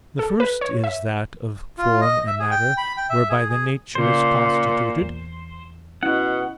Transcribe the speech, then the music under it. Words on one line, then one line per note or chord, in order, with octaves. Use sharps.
The first is that of form and matter, whereby the nature is constituted.
A4
B4
C#5
E5
F4
D#5
E5
G#4
G5
B5
G5
E5
G#4
G#4
A#2 C#3 C#4 C5
E2
B2 C#4 E4 D#5 F#5